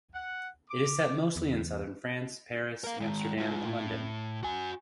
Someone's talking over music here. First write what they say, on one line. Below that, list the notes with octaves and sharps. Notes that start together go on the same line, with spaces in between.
It is set mostly in Southern France, Paris, Amsterdam, and London.
F#5
D6
E2
A#4 F5
D#3 G#3
G#3 F4
A2
F#4 G#5